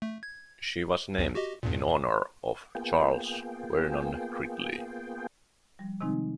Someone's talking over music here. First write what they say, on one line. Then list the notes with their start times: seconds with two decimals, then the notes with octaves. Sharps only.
She was named in honor of Charles Vernon Gridley.
0.02 A3
0.23 G#6
1.18 B1 E2
1.35 F#4 G4 D#5
1.63 E2 G2 A#2
2.75 A#3 B3 F4 G#4 G5
5.79 F3 G3
6.01 C3 D#3 F3 G#3 C4 D#4